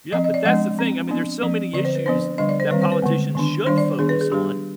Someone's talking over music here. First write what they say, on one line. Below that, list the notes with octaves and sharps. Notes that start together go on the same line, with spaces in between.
Yeah, but that's the thing, I mean, there's so many issues that politicians should focus on,
F3 C4 D#5
D#5
D5
F3 G#3 B3 D4 D#5
F3 C4
F3 B3 D4
F3 C4
D3 F3 C4 D5
C5
B4
F3 B3 D4 C5
D3 G3 D4 D#5
D5
C5
D#3 G3 C4 B4
C5
B4
D3 G#3 B3
D#3 B3 D4
D#3 G3 D4 C5
D5
D#3 B3 D4 G#4
B4
G#4
G3 D4 G4